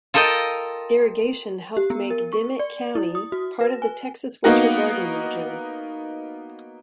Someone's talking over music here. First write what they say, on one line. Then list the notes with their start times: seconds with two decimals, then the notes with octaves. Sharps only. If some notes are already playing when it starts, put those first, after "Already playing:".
Irrigation helped make Dimmit County part of the Texas Winter Garden Region.
0.14 F4 A4 A#4 D#5 G5
1.77 G4
1.90 B3
2.10 A#4
2.33 C#6
2.59 D5
2.95 E4
3.15 D#6
3.32 F#4
3.61 B4
3.82 G#5
4.44 A#3 B3 D#4 F#4 A#4 F#5